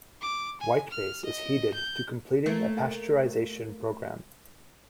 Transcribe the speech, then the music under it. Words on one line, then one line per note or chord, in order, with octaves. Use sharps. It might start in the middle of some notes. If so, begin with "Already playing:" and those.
White base is heated to completing a pasteurization program.
D6
G#5
F6
D#5
G6
A3 A#3